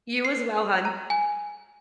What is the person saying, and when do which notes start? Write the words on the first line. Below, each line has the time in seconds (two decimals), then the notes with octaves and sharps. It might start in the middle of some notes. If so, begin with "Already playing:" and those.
You as well, hon.
0.25 C7
0.85 A#5
1.10 G#5